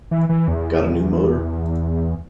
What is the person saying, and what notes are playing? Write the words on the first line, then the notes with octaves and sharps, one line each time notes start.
Gotta New Motor?
E3
E3
E2